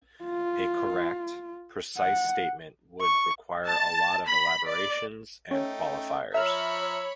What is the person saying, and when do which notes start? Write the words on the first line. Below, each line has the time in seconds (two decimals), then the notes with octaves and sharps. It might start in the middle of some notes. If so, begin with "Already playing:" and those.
A correct, precise statement would require a lot of elaborations and qualifiers.
0.24 F4
1.98 F#5
3.01 C#6
3.65 A5
4.28 B5
4.69 D5
5.51 A3 C#4 D#4 G5
6.34 F3 C#5 E5 A#5 B5 E6 F6